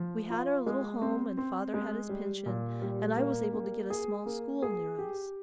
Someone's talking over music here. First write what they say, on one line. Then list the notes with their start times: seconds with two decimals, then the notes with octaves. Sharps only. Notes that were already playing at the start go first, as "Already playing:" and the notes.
We had our little home and father had his pension, and I was able to get a small school near us.
Already playing: F3
0.30 F4
0.66 G#3
1.02 C4
1.37 C4
1.74 G#3
2.09 G3
2.46 A#2
2.82 G3
3.17 A#3
3.53 A#3
3.90 G#4
4.26 A#3
4.62 G#4
4.98 G4